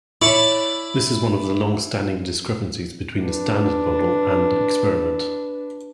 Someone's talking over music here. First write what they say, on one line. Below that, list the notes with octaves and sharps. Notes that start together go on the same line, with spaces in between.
This is one of the long-standing discrepancies between the Standard Model and experiment.
E4 C#5 D5 A5 B5
D4 B4